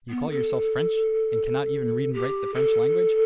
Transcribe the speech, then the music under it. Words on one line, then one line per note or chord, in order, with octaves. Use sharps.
You call yourselves French, and cannot even read and write the French language?
B3
A4
G4
A4